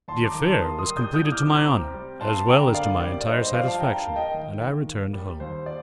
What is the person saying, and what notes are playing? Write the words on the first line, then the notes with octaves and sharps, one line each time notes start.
The affair was completed to my honour as well as to my entire satisfaction, and I returned home.
D#2 A5 C6
A#5 D6
D#3
A5 C6
A#3 C6 D#6
C6 D#6
G3
D#6 G6
C2 D#6 G6
D6 F6
C3
A#5 D6
C4
G3
G2 A5 C6
D3 G5 A#5
A#3 D5 F5
G3 D5
D5
G2 C5 D#5
C5 D#5
F3 D5 F5
F5 A5
G2 G5 A#5
F5 A5
A#3
D#5 G5
D#2
D#3
A#3
G3
D#2 C5
D5